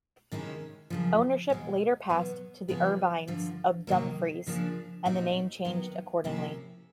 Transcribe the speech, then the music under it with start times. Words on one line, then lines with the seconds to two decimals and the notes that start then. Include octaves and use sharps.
Ownership later passed to the Irvines of Dumfries and the name changed accordingly.
0.32 C3 D#3 G#3 C#4 E4
0.90 F#2 C#3 F3
1.50 E2 B2 G#3
2.09 E2 B2 F#3 B3
2.68 C#3 F3 G#3 B3
3.28 G2 D3 F3
3.87 C3 D#3 F#3 A#3
4.47 C#3 F3 A#3 D4
5.06 A#2 G3 C4 D#4 F#4
5.65 D#3 F#3 B3
6.24 C3 F3 A#3 C#4 E4